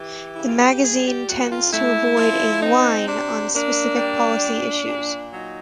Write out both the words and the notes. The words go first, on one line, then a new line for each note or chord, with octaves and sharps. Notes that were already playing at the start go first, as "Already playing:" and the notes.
The magazine tends to avoid a "line" on specific policy issues.
Already playing: E3 G4
C#3 E4
F4
F#4
G4
G3 G#4
G4
F2 F#4
F4
A3 E4
F3
C4 D#4
C3 D4
A#3 D4
G3
A#2
A#2
F#3 D#4